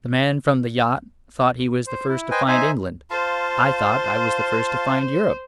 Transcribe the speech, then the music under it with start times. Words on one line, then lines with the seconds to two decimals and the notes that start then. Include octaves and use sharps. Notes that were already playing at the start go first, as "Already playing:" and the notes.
The man from the yacht thought he was the first to find England; I thought I was the first to find Europe.
1.87 C5
2.09 E4
2.31 B4 C5 D#5 G5 G#5
2.47 D#4 C5 E5 G#5
3.10 F4 C5 F5 A5